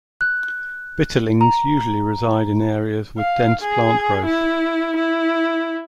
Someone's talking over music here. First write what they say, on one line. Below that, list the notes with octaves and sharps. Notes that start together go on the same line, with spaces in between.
Bitterlings usually reside in areas with dense plant growth.
F#6
A#5
F5
G#4
E4
E4